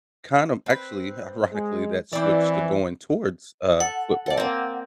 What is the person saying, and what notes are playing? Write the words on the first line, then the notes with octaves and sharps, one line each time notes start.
kind of actually, ironically, that switch to going towards, uh, football,
C4 B4
G#3
E3 C4 D5
A4 F#5
A4 D5
A#3 C4